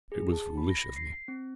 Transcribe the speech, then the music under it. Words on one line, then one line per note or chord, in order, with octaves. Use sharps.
It was foolish of me.
G#4
A5
B5
A#6
C7
C4